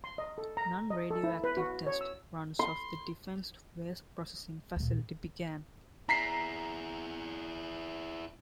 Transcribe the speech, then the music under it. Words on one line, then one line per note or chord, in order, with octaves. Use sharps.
Non-radioactive test runs of the Defense Waste Processing Facility began.
C6
D#5
A4
A#5
D#5
A4
E4
B4
F#4
C#5
E6
C6
D2 A#2 D#3
E4 G#4 A#5 B6 C7